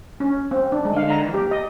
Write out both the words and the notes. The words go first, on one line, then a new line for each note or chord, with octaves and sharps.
You know?
C#4
C4
D4
G#3
F5
A#5
G4
D#5